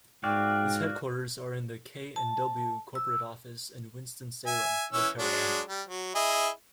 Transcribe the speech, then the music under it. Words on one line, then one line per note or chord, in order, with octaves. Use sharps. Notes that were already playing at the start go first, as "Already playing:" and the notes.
Its headquarters are in the K and W Corporate Office in Winston-Salem, North Carolina.
G#2 F#4 D5 F5 G5
A5
E6
E5 G#5
E3 C#4 E6
F#3 G#3 D4
G3
F#3
E4 G#4 D#5